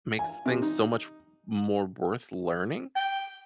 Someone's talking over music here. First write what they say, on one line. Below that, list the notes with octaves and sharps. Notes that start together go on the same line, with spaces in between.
makes things so much more worth learning,
G#5
C3
D#4
G5